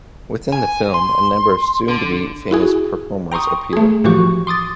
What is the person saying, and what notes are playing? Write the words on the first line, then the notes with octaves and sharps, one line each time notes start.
Within the film, a number of soon-to-be famous performers appear.
G#5
C6
D3
E4 F#4 G#4
G5 A#5 C6 C#6 D#6
A3 G#4
A2 E3 F3 F#4 G4 C#6
C6 D6 D#6 A6